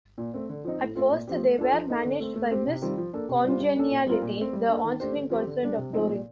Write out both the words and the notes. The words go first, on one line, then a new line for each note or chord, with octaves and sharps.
At first, they were managed by Miss Congeniality, the onscreen girlfriend of Doring.
A#2
A3 C4
D3
F3 C4 D#4
A2
A3 C4 F4
A#2
F3 C4 G4
A3
D4 F4 A4
F3
A#3 D#4 A4
D3
A3 C4
A3
C4 G4 C5
C3
D#3 G3 C4 F4
F3
A#3 D4 A4
C3
G3 D4 F4 C5
G3
A#3 D4 A4
A#2
G3 C4 F4 A#4
A#2
A3 C4
G3
A#3 D4 A4
D#3
A3 D4 G4 C5
D3
F3 C4 G4
D3
G3 D4
C3
F3 A3 C4 D#4
A#2